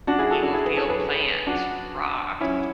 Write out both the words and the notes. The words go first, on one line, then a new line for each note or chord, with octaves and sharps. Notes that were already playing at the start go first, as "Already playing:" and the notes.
you will feel plants, rocks,
D4 F#4
E4 G#4
F#4 A4
D4 F#4
E4 G#4
G#4 B4
A4 C#5
G#4 B4
D4 F#4
C#4 E4